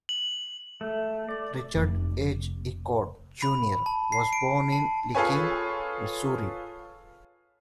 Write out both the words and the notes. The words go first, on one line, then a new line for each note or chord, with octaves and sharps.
Richard H. Ichord Junior was born in Licking, Missouri.
F#7
A3
D5
F1
B5
A5
C7
D7
A5
F4 G#4 A4 B4 C#5 G#5